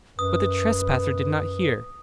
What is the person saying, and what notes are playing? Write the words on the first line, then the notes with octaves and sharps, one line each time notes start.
But the trespasser did not hear.
F#2 B4 D#6